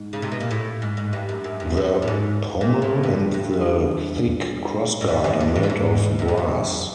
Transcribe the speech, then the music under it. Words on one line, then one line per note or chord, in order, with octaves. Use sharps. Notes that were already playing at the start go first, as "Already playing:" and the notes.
The pommel and the thick crossguard are made of brass.
Already playing: G#2
C#3
C3
B2
A#2
A2
G#2
G#2
G2
F#2
F#2
G2
F#2
A2
G#2
A#2
A2
G2
G2
G#2
G2
F#2
G2
G#2
G2
G#2
F#2
G2
F#2